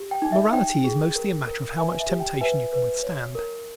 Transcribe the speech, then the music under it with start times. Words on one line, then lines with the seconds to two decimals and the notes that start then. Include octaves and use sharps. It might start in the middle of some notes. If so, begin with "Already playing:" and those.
Morality is mostly a matter of how much temptation you can withstand.
Already playing: G4
0.11 G5
0.22 D#4
0.32 E5
0.53 D#4 G5
0.84 G#4
1.16 A#4
1.47 A#4
1.78 B4 E5 G#5
1.99 E5 G#5
2.09 G4
2.20 G5
2.41 B4 E5 G#5
2.73 B4
3.03 C#5
3.35 A#4